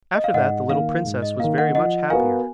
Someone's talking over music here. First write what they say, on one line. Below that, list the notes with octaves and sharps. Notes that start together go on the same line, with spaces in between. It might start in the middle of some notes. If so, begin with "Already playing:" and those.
After that the little princess was very much happier.
D#5
F5
G#2 D#5 F#5
D#3 A#3 F5
G#2
D#5
D#3 A#3 F5
D#5 F#5
F3 D#5 F#5
B3 F#4 A#4 F5 G#5